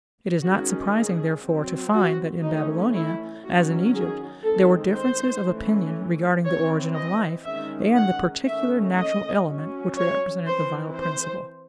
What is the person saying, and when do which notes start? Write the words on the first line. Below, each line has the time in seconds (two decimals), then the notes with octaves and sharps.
It is not surprising, therefore, to find that in Babylonia, as in Egypt, there were differences of opinion regarding the origin of life and the particular natural element which represented the vital principle.
0.42 D#3 G#3 C#4 F#4
0.92 G#4
1.43 F#3 C4
1.93 F#4
2.43 E3 A3 C#4 D#4
2.94 E4
3.44 D#3 F#3 C#4 F#4
3.95 G#4
4.44 D#3 G#3 C4 A4
4.94 C5
5.44 E3 A3 C#4
6.45 E3 C4 C#5
6.95 D#5
7.45 D#3 G#3 C#4 E5
7.96 F#5
8.46 D#3 A3 C#4 E5
8.96 D#5
9.46 F#3 C#4
9.96 C#5
10.46 E3 C4 C5
10.97 C5